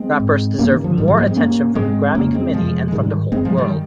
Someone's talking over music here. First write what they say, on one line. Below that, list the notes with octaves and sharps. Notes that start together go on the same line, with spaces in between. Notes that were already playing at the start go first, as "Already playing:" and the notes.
Rappers deserve more attention from the Grammy committee and from the whole world.
Already playing: G#3 C4
G#2
G2 A#3 C#4
D#3
F3
G#2 D#3 G3
F3 G#3
G3 A#3
G#3 C4
G2 A#3 C#4
G#2 G#3 C4
F2 C#3 A#3 C#4
G#3 C4
F2 C3 F3 G#3
G#3
G#2 D#3 G3
G2 G#3 C4
F3 G#3
D#3 G3